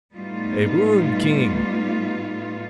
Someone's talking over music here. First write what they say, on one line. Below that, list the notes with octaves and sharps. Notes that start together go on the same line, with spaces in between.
"A boon, King!"
A2 G3 A3 B3 D#4 F4